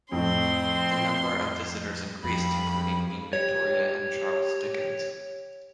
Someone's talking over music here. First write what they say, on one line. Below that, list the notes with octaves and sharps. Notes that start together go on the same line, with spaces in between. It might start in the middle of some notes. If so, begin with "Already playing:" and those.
The number of visitors increased, including Queen Victoria and Charles Dickens.
F2 A2 C4 C6
F2 B5
G4 C#5